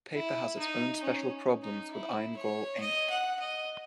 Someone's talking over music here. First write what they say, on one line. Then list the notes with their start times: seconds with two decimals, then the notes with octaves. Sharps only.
Paper has its own special problems with iron gall ink.
0.14 E4
0.58 D#4
1.03 C#4
1.62 D#4
1.91 E4
2.37 C#5
2.80 D#5
3.10 F#5
3.40 D#5